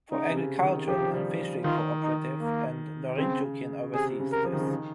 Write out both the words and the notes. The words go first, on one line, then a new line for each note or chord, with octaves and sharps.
For agricultural and fishery co-operative and Norinchukin, oversees this.
C#3 D#4
C3
C#3
D#3
F3 G4
G3
D#3 F4
D#4
A#3
C#3 C4
C3 G#4
C#3
A#4
F3
D#3
C#3
D#3